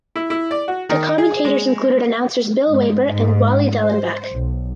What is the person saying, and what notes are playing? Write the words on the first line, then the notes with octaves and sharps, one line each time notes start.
The commentators included announcers Bill Weber and Wally Dallenbach.
E4
E4
D5
F#4
D#3
G#4
G#3
G#2
G#2
C5
B1